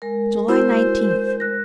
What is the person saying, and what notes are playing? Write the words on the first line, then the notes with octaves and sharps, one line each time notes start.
July Nineteenth.
G#3 A#4
E4 F#4 C5 E6
F#6 A#6